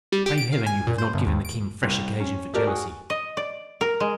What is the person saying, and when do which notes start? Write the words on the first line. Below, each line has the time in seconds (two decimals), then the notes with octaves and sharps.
Pray Heaven you have not given the king fresh occasion for jealousy!
0.12 G3
0.26 G4
0.38 D7
0.53 F5
0.66 G#5
0.87 A#2
0.98 C5
1.14 G1
1.27 D#2
1.45 D7
1.83 C2
2.20 C#4
2.54 A3 G4 A#4 D5
2.67 F#4 G#4
3.10 D#5
3.37 D5
3.81 A#4
4.00 G#3